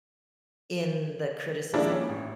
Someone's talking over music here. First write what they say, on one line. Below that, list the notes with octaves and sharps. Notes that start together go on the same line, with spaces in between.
...in the criticism.
D#3 F3 G#3 A#3 D4 E4
C#4
A1